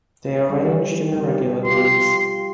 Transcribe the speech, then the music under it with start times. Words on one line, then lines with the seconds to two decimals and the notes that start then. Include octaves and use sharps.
They are arranged in irregular groups.
0.49 G3
1.13 G3 C4
1.65 F4 G4 C6